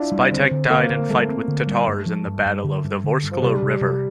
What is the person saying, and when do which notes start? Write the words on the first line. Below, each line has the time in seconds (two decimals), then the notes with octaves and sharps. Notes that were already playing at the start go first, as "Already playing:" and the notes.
Spytek died in fight with Tatars in the Battle of the Vorskla River.
Already playing: D4 E4 F4
0.12 G3
0.31 D3 C4
0.51 D3
0.70 D3 A#3
0.89 D3
1.09 G3 A3
1.28 C4
1.48 D3
1.67 G3
1.87 G2
2.06 F3
2.27 G2
2.46 G2
2.64 D3
2.84 G2
3.04 D3
3.23 G2
3.31 F3
3.42 C3 G3
3.62 C3
3.81 C3 G3